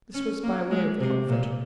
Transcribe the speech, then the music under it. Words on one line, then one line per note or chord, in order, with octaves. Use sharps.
This was by way of comfort.
C#4
A#3
G#3
C3
A#2